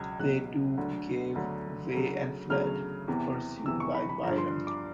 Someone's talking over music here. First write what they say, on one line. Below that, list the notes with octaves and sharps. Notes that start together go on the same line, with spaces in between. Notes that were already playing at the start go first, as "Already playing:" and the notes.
They too gave way and fled, pursued by Byron.
Already playing: C#2 B2 F#3 G#6
C#2 B2 F#3 F#6
D2 D3 F#3
D2 D3 F#3
D2 C#3 F#3
D2 C#3 F#3 F6
E2 C3 E3
E2 C3 E3 E6
C#6
B5
B5
G2 D3 F3 A#5
C6
D6